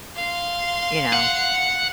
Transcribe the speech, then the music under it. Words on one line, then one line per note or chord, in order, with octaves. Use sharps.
You know,
F5 C6
F#5